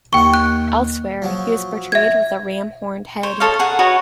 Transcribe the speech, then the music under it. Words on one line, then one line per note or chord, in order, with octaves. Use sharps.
Elsewhere he was portrayed with a ram-horned head.
D#2 F#5 G5 C#6
F#6
F3 F#3
E5 G#6
C5 C#5
A4 C#5 D#5 F5
G#4 A#4 F#5
F#4 B4 C#5 D#5